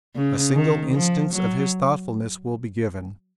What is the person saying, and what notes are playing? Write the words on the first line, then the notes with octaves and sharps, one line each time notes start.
A single instance of his thoughtfulness will be given.
C#3
D#3
F3
F#3